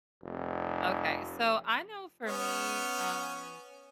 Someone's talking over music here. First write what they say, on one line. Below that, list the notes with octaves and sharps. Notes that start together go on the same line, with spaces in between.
Okay, so I know for me, um,
F1
B3 C#4